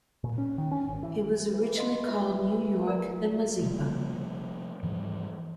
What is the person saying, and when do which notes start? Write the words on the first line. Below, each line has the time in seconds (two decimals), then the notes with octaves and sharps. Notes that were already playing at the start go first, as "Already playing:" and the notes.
It was originally called New York, then Mazeppa.
0.24 A#2
0.38 C#4
0.58 D#3
0.71 C#4
0.87 G#1
1.03 E3
1.54 E3
1.78 D#5 F5 C6
2.06 F4 E5 C#6
2.87 A#4 D5 A#5
3.62 C3 F3 G3 A#3
4.83 G#2 E3 F3 G3